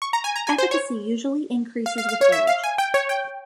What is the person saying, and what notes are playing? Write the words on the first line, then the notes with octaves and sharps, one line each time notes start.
Efficacy usually increases with age.
C#6
A#5
G#5
A#5
G#5
C5
C#5
F5
F5
F5
C#5
E5
F5
G#5
G5
C#5
G5